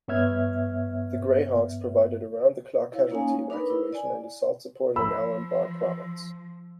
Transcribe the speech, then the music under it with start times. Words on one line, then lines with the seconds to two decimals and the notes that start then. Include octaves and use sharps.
The Greyhawks provided around-the-clock casualty evacuation and assault support in Al Anbar Province.
0.08 G2 B3 C#5 E5 F6 G#6
2.93 E4 C#5 F5
3.11 A#3 C#4 D#4 G#5
3.28 C#5
3.50 D4 D#4 A#4 B4 B5
3.70 E4
3.93 D5 G#5
4.96 F3 B5 E6